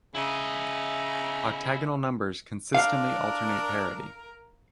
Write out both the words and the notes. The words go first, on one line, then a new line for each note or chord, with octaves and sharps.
Octagonal numbers consistently alternate parity.
C#3 E4 D#5 E5
D4 A#4 F5